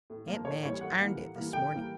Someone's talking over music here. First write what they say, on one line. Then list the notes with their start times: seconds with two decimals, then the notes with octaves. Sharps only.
"Aunt Madge ironed it this morning."
0.10 A2
0.27 F3 A#3
0.45 A2 C#5
0.63 E3 G3 A#3 C#5
0.81 A2 F#5
0.99 E3 G3 A#3
1.17 A2
1.35 E3 G3 A#3
1.53 A2 G5
1.72 E3 G3 A#3